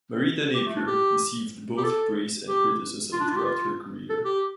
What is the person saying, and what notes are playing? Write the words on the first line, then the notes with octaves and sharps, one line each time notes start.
Marita Napier received both praise and criticism throughout her career.
G4
A3
D4
G4
G4
A4
G4
F4
D4
F4
G4
F4
A4
G4